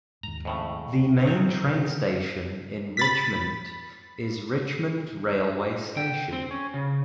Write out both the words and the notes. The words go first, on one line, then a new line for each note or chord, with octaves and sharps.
The main train station in Richmond is Richmond railway station.
D#2 G#2 A#5
F2 A2 C#3
G#2 D#3 C4 C#5
G#1 C3 E3
B5 A6 B6
G5
C4
C#4
C#3